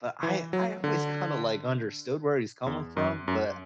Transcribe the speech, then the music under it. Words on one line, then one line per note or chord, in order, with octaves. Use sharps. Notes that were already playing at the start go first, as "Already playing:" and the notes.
but I I always kinda, like, understood where he's coming from. But,
E3
F#3
D3
E2
F#2
F#2